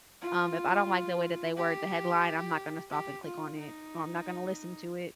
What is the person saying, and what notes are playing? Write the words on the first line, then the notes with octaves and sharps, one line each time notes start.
um, if I don't like the way that they word the headline, I'm not gonna stop and click on it or I'm not gonna listen to it,
F4
G4
G4
F4
D#4